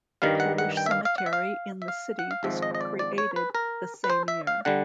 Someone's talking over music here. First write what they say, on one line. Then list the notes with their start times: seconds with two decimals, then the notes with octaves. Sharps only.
The Polish Cemetery in the city was created the same year.
0.22 G2 D#3 G3 F5
0.40 F#5
0.58 F#5
0.77 G5
0.86 E5
0.91 F5
1.05 F5
1.18 F#5
1.26 E5
1.33 F5
1.82 E5
1.88 F5
2.19 F#5
2.31 F5
2.43 G#1 G#2 F3 E5
2.63 D#5
2.75 D#5
2.81 D5
2.99 D5
3.18 C#5
3.36 B4
3.55 A#4
4.04 B4
4.10 C5
4.28 E5
4.47 F5
4.65 D3 G3 F#5